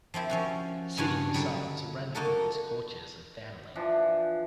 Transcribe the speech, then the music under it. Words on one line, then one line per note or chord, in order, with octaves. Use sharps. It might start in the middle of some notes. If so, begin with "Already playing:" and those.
Siddi Musud surrendered with his courtiers and family.
F3 C4 E4 G4
F3 C#4 F#4
G2 C#3 D4 F#4 G#5
D3 F#3 G3
A#3 D#4 F#4 A4
E3 F3 D4